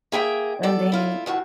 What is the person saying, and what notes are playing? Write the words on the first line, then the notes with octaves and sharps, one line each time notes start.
And the
A#3 G#4 E5 G5
B3 A4 D5
E4 F4
D#2 A2 F#4